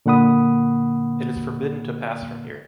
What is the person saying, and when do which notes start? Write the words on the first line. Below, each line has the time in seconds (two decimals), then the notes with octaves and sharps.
It is forbidden to pass from here.
0.06 A#2 D3 A#3 F#5 B5 D#6